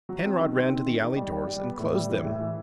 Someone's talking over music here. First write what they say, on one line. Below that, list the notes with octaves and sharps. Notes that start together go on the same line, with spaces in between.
Penrod ran to the alley doors and closed them.
F#3
C4
D#3
C4
C4
D#3
D#3
G3
G3
G3
B3
A2
G3
E3
A2
E3